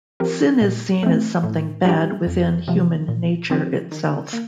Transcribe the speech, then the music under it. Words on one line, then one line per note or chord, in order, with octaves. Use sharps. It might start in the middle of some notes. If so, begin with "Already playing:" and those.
Sin is seen as something bad within human nature itself.
F3 C4 G4 A#4
A#2
A3 C4
A2
G3 D4 G4
F2
C3 F3
A#2
F3 C4 G4
D#3
A#3